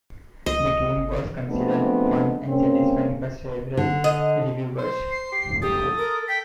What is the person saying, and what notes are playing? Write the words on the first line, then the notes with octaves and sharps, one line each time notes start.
The game was considered fun and satisfying by several reviewers.
C#2 D#5
G1
F3 G#3 A3 B3 C4 D4
G2 C#3 A#3 C4 C#4
D3
D#5
C5
C7
G4
G4 A4 D#6
A#4
G5 B6